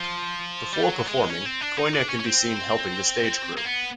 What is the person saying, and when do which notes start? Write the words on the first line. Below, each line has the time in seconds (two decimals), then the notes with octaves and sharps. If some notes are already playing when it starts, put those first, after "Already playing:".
Before performing, Coyne can be seen helping the stage crew.
Already playing: F3
0.73 G3
0.83 F#3
1.07 G#3
1.30 C#4
1.46 C4
1.61 D4
1.77 D#4
1.93 D4
2.09 C#4
2.19 C#4
2.25 C4
3.58 A#3
3.65 B3